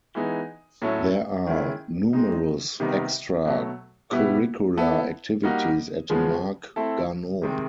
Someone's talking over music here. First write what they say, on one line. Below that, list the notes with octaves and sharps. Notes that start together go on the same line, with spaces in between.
There are numerous extra curricular activities at Marc Garneau.
E3 G#3 B3 D#4
A2 F#3 A3 C#4
D#3 G#3 C#4 E4
G#3 C4 D#4
C3 D#3 G3 B3 D#4
B2 F#3 A3
B2 G3 B3 E4
B3 E4 A4
G3 A#3 D#4 F#4
C#3 F3 G#3 B3
A3 C4 E4 A4
C3 D#3 G#3 C4